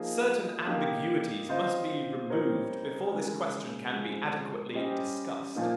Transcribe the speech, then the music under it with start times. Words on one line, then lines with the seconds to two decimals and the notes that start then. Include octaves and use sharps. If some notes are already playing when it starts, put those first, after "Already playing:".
Certain ambiguities must be removed before this question can be adequately discussed.
Already playing: F3 A#3 D#4 G#4 D#5
0.67 A#3 D#4 G4
1.49 C4 F4 C5 D#5
2.30 G3 C4 D#4 A#4 C#5
3.12 C#3 G#3 D#4 A#4
3.93 F3 G#3 C4
4.74 G3 C#4 G4 C5 D#5
5.55 A#2 F3 A#3 D#4